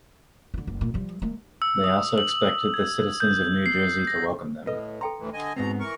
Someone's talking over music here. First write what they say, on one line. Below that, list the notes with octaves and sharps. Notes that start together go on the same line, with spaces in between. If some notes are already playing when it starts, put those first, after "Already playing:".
They also expected the citizens of New Jersey to welcome them.
D3 F3
F#1
A#2
F3 G3
G#3 A#3
E6
D#6
F#7
G#6
G6
C7
A#6
A2 A4 B4 D#5
A4 G5 A#5 C6
D2 A2 E3
D3 D#5 G#5
G#2 B2 B3 C4 A#5
E3 A#4 C#6